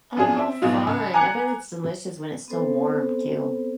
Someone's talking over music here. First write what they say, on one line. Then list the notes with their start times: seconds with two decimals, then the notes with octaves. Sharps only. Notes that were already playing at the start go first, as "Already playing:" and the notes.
Oh, how fun. I bet it's delicious when it's still warm too.
0.17 F#2 F3 D4 G#4
0.37 C4 E5
0.62 G#2 B2 F3 F#3 D#4 F4
0.87 C#2
1.14 G#5 A#5 D6 F#6 G#6 C#7
2.48 B3 C4 A4 C5